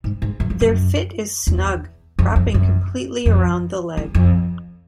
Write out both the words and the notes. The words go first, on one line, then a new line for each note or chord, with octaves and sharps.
Their fit is snug, wrapping completely around the leg.
G#2
G#2
F#2
F2
F#2
E2
F2
F2
F#2
F2
E2
F2